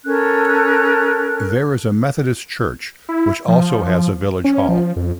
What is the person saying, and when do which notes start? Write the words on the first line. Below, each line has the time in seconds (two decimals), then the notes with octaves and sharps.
There is a Methodist Church, which also has a village hall.
0.05 C#4 A4 A#4 F#6
3.09 E4
3.48 F3
4.44 C#4
4.69 F3
4.96 F2